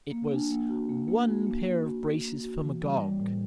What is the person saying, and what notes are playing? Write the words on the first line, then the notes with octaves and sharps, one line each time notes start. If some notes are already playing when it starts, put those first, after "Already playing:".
It was one pair of braces for Magog.
A#3
D4
A#3
F#4
A#3
A#3
F#4
A#3
A#3
F#4
A#3
A#3
F#4
E3
G3
G3
A2